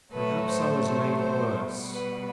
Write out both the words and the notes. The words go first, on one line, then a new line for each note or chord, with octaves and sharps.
Perhaps I was made worse.
A2 F#3 A3 B4
C5
C5
C5
B2 G3
B4